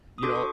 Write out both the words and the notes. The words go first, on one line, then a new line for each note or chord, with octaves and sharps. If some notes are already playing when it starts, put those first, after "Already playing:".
You know
D#6
D4 F#4 A4 C6 D6
C#6